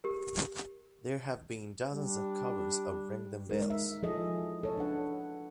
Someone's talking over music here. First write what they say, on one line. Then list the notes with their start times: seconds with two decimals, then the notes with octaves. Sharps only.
There have been dozens of covers of "Ring Them Bells".
0.04 G4 A#4
1.93 G3 D4
3.49 G#3 D#4 A#4
3.70 E5
4.03 F3 E4 G#4 A4 D#5
4.63 A4 C#5
4.77 D4 B4 F#5